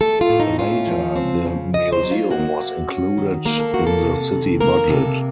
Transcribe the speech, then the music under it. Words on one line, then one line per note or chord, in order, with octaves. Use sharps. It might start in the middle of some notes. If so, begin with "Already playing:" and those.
Later the museum was included in the city budget.
A3 A4
F4
A2
D#4
C#4 F4
F3
C4
C#3
C#3 D#5
C5
F#3
F4
A#3 F#4
C3
C#4
D#3
A#3 A#4
A4
C3 F#4
A4
C3
D#3
A#3 A#4
C3 A4